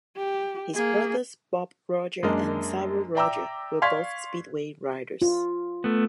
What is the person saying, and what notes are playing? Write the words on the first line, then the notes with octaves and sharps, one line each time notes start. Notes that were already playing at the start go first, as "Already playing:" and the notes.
His brothers Bob Roger and Cyril Roger were both speedway riders.
G4
A#3 G#4
F#2 G#3 A#3 D4 D#5 F6
D5 E5 G5 A#5 D6 E6
D5 F5 C6 C#6 G#6 B6
F4
A3 B3